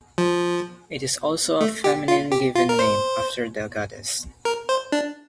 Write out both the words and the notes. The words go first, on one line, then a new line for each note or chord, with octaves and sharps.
It is also a feminine given name, after the goddess.
F3
A3
G4
F4
G4
F4
A#4
C5
A#4
C5
D4